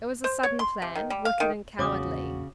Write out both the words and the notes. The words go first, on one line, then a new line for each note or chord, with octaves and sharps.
It was a sudden plan, wicked and cowardly.
C5
C#5
C6
C3
D#3
G3
F5
D#3
A#1 E2 C#3 G#3 F#4 C#5 D6 D#6